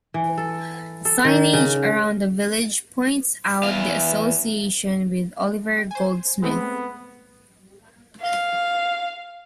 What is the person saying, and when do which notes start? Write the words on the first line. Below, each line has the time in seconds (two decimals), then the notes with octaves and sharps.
Signage around the village points out the association with Oliver Goldsmith.
0.14 E3
0.38 A4
1.05 A4
1.25 D#3
1.53 C#3
3.63 E2 F5
5.91 C5 G#5
6.43 G#3 A3 B3 C4
8.21 F5